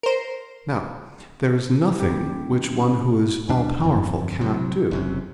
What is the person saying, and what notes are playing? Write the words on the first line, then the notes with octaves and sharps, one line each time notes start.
'Now, there is nothing which One who is all-powerful cannot do.'
A#4 C5
D#1 G4
D#2 B2 G3 D4
G1 F2
C3 F#3
F#1 F#2 C3